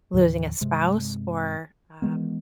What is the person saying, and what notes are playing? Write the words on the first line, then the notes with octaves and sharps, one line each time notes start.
losing a spouse or, um,
D#2 A2 D3 F3
G2 C3 G#3
E3 F3 G#3 B3